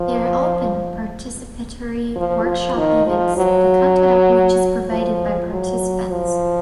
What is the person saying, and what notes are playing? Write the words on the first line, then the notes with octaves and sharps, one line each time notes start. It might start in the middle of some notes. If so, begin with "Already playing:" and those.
They are open, participatory workshop-events, the content of which is provided by participants.
Already playing: F3
F3
F3
D#3
F3
F#3
F3
F#3
F3